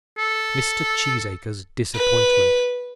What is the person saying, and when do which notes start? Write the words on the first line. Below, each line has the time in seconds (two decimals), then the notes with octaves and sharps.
Mr. Cheesacre's Disappointment.
0.18 A4
1.94 B4